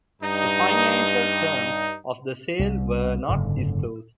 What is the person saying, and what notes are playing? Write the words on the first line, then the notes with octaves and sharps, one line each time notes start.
The financial terms of the sale were not disclosed.
G2 D#4
C2
F#1 G#2 D3